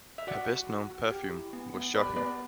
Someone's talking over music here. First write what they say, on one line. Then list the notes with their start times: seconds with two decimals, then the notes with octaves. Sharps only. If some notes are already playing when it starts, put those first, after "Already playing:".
Her best-known perfume was Shocking!
0.18 E5
0.27 F#4 D5 F#5
0.48 F#4
0.70 F#4
0.91 F#4
1.11 G4
1.33 E4
1.53 B3
1.75 B3
1.95 G4 B4 D5
2.16 B3 B4 D5